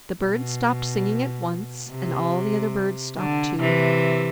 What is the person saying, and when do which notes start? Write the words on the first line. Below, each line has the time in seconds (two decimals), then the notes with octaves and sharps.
The bird stopped singing at once, and all the other birds stopped too.
0.22 B2
1.90 C3
3.17 D3
3.60 C3 E3